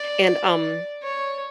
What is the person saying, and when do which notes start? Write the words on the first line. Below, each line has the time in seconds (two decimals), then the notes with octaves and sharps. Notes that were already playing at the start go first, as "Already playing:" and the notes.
and, um
Already playing: D5
1.03 C#5